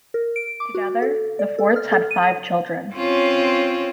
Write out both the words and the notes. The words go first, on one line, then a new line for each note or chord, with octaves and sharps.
Together, the Fordes had five children.
A#4
D7
D6
F#4
A4
D5
A4
F6
A4
D#7
C4 C#4 F4